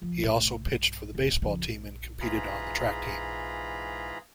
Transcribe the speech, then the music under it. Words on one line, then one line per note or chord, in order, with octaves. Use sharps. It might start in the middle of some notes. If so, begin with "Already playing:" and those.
He also pitched for the baseball team and competed on the track team.
F3
A2 C3
G2
F#1
F2 C#3
G#2 E3 F4 G#4 A#5 B5